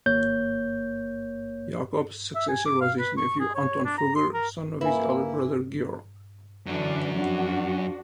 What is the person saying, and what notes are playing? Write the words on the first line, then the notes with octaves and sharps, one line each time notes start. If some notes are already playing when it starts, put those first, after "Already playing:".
Jakob's successor was his nephew Anton Fugger, son of his elder brother Georg.
G#1 A#3 C#5 G6
E5
G#5
D6
F5
B4
C#6
G#4
C#5
D4
A#5
C6
A#4
A#3 E4 B4 G#5
F#2 D3 E3 F#3 D4
F2 D4 F#4